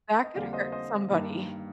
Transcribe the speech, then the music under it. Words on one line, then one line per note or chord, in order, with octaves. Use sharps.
That could hurt somebody.
D#5
F2 D3 G3 A#3 D5 F5
C5 D#5
C5 D#5
G2 D#3 A#3